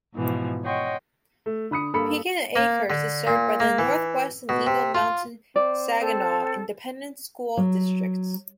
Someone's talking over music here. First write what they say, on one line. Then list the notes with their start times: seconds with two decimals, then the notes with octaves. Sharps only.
Pecan Acres is served by the Northwest and Eagle Mountain-Saginaw Independent School Districts.
0.13 G#2 B2 E3 F3
0.64 C#5 D#5 F#5 G5 C6 C#6
1.46 A3
1.71 D3 B5 D#6 C#7
1.94 G2 A#3 A4 B5 C#7
2.56 A#3
2.90 D3
3.27 A#2
3.60 A#3
3.78 E3
4.49 B2
4.67 C3
4.95 F4
5.56 C4 D5
6.00 C4 A4
7.57 F#3